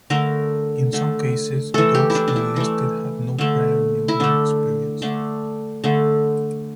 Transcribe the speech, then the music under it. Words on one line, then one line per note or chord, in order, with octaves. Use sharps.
In some cases those who enlisted had no prior military experience.
D3 A3 A#4
D3 A3
E3 A3 A4
G4
E4
D4
D4
E4
E3 A3
D3 A3
E4
D3 A3 D4
D3 A3 D4
D3 A3